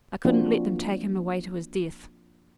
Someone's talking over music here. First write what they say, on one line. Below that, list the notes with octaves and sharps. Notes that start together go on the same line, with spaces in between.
I couldn't let them take him away to his death.
F3 A#3 C4 D4 F4 F#4